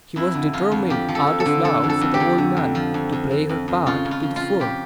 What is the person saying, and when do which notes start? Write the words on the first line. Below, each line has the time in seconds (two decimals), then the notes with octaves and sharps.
She was determined, out of love for the old man, to play her part to the full.
0.16 F2 E4
0.35 D3
0.53 F2 F4
0.72 F2
0.90 F3 G4
1.09 F3
1.15 A4
1.27 F2
1.40 A4
1.46 D3
1.64 F2 A4
1.84 F2
1.89 A4
2.01 F2
2.14 G4
2.20 F2
2.38 D3
2.57 F2
2.75 F3
2.94 F2
3.12 F2
3.31 F2
3.49 F2
3.68 F2
3.86 C#3 F4
4.05 F2
4.11 F4
4.23 F3
4.36 F4
4.41 F3
4.60 F2 G4